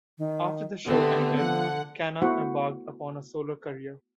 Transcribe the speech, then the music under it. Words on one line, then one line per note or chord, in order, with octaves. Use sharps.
After the show ended, Kana embarked upon a solo career.
D#3
D3 A3 B3 C4 G4
F3 F#5
A3 B3 E4 F#4 C5 F#5